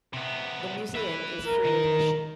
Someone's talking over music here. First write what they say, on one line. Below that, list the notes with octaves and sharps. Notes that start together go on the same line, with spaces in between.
The Museum is free admission.
C3 B3
B4 E5
A#4
D#3 D#4